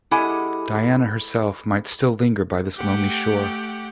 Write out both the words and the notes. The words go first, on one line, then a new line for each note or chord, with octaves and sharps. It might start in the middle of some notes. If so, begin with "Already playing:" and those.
Diana herself might still linger by this lonely shore.
G#3 E4 G4 A4 F#5 G#5
A3 G4 F#5 G5